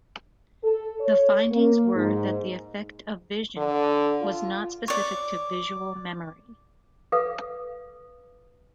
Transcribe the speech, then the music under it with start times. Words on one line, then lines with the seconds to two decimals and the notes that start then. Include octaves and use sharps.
The findings were that the effect of vision was not specific to visual memory.
0.63 A4
1.00 C#5
1.51 A#3
1.95 G#2
3.57 D3
4.21 F4
4.88 C#5 D5
7.12 A4 B4 F5 D6